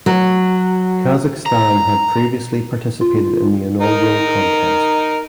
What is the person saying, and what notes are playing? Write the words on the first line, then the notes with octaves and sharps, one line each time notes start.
Kazakhstan had previously participated in the inaugural contest.
F#3
A#5
F4
D#4 A#4